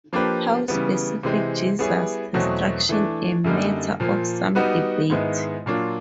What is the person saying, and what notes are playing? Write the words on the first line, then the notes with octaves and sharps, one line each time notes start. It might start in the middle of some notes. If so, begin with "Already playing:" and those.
How specific Jesus' instruction a matter of some debate.
F3 A#3 D4 G4 B4
C#3 E3 G3 B3
C3 E3 G#3 C4
G3 B3 E4 G#4 C#5
E2 B2 F#3 A3 C4
E3 A3 D4
F#2 D3 G3 A#3 D#4
A#2 F3 A#3
G3 B3 D#4 F#4 B4
G#2 D#3 G#3 B3 E4
A#2 F#3 A#3 D4 F4